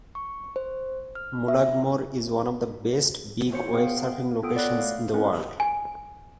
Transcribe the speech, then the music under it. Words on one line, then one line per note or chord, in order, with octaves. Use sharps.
Mullaghmore is one of the best big wave surfing locations in the world.
C#6
C5
F6
E5
F#4 C5 C#5 G6 C#7
B3 G#4 C5 F5 G5
B3 F4 A4 G5 D#6 D7
C#5 D5 F#5 B5 F#6 A#6
A3 F5
C4 C#4 E4 A#4 B4
G#5